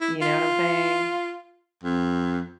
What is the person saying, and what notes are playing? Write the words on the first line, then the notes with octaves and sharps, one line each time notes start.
You know what I'm saying?
E4
F4
F2